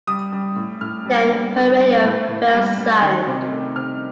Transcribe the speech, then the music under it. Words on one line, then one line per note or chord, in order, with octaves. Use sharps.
Then her radio fell silent.
G3 D#6
G3
A2
A2 F6
G3
G3
G3
G3
A2
A2
G3
G3
D#3
C3
A3
C3 F6